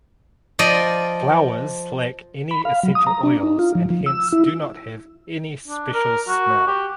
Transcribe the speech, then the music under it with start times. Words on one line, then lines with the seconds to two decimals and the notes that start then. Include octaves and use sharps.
Flowers lack any essential oils and hence do not have any special smell.
0.59 F3 D5 D#5
2.51 B5
2.65 F5
2.83 F#3
2.95 D#6
3.07 A#5
3.23 D4
3.43 D#4
3.59 F4
3.75 F3
3.90 F3
4.06 E6
4.33 E4
5.67 D4
5.94 A#4
6.28 F#4
6.67 G4